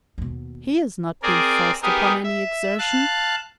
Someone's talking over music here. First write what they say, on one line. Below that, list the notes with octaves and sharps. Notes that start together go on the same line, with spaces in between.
He has not been forced upon any exertion.
D#2 B2
C4 G#4 A#4 D5
B3 D#4 G4 G#4 A#4
E5
F5 A5 F#6